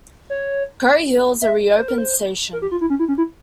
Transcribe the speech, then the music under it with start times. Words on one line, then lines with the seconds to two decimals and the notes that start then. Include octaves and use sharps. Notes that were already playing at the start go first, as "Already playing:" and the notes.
Curriehill is a reopened station.
0.30 C#5
1.42 E5
1.78 C5
1.88 A#4
1.98 C5
2.53 A#4
2.62 G4
2.71 F4
2.81 E4
2.90 C#4
2.99 E4
3.08 C#4
3.18 E4